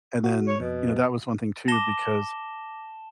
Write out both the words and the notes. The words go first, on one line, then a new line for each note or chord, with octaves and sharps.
and then, you know, that was one thing too, because,
F#4
C#5
F2 B2
A5 D6 A#6 E7 G7